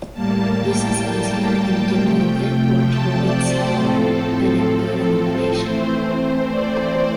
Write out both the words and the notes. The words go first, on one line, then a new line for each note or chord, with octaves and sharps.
This is easier in dimly-lit or turbid seawater than in good illumination.
A2 G3 A#3 A5
G5
C3 F3 A3
A5
D5
C5
A2 F3 C4 A4
E3 A3 C4 C5
D5
C5